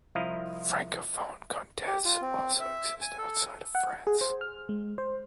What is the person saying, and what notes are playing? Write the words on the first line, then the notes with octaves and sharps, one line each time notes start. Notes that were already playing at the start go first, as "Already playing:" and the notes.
Francophone contes also exist outside of France.
C2 F3 E4 D#5 F5 A#5
G4
F4
C4
E5
G#5
A4
F#5
G#4
C5
F6
G#3
C5